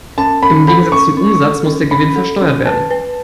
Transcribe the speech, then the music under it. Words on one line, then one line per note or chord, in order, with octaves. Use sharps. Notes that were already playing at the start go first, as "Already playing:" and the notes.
Im Gegensatz zum Umsatz muss der Gewinn versteuert werden.
C#4 A5
C#4 B5
A4 B5
C#4 C#6
C#4
A4
C#4
C#4 B5
A4
C#4
B4 A5
B4